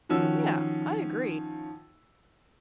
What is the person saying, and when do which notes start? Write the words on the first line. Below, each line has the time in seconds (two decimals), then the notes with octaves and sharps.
Yeah, I agree.
0.09 D#3 F3 C#4 F#4 E6